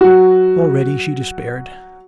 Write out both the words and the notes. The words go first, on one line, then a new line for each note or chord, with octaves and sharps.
Already she despaired.
F#3 F#4